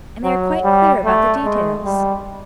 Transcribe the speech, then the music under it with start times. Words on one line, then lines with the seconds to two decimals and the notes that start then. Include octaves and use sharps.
And they are quite clear about the details.
0.23 F#3
0.64 G3
1.05 A3
1.45 G#3
1.85 G3